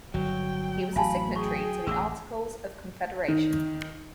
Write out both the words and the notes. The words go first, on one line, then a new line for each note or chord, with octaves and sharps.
He was a signatory to the Articles of Confederation.
G1 F#3 G5
A1 F5 G#5 A5 B5
G#4 G5 C#6
A1 E2 F#5 D6 E6
D#3